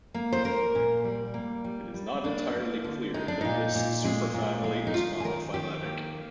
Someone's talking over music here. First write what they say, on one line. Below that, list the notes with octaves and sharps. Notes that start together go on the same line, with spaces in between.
It is not entirely clear that this superfamily is monophyletic.
A#3
C5
A#3 A#4
A#2
G3
A#3
G3
G3
A#3 D4
A#3
D3
G#3 D#4
D4
A#2 D#4
A#2
G#3
A#2
G#3
D#4
D#3 F4
G#4
D#3 A#4
D#3 G4
A#3
A#3